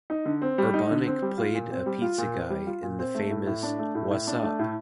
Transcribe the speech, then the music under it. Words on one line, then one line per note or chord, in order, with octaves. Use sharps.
Urbaniak played a pizza guy in the famous Whassup?
D#4
D3
C4
G3
D#4
D3
C4
G3
F4
A#2
C4
G3
F4
A#2
C4
G3
F4
A#2
C4
A3
A2
A2
D4
A3
A2
A2
D4
A3
A2